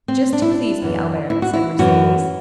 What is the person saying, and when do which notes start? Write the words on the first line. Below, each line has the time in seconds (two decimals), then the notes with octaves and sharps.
"Just to please me, Albert," said Mercedes.
0.08 C4
0.33 D4
0.42 E4
0.51 D4
0.82 F#2 E3
1.30 E4
1.42 F#4
1.54 E4
1.79 F#2 E3 F#4